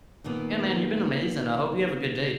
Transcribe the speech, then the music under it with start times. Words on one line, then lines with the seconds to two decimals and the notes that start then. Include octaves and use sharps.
Yeah, man, you've been amazing, I hope you have a good day.
0.24 A#2 D#3 A#3 B3